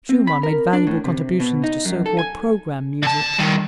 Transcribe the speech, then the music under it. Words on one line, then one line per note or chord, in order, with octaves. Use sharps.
Schumann made valuable contributions to so-called program music.
C4
B5
A#4
D4
A2
C3
B2
D#4
F#2
A4
G#5
D3 A5
G2 D#3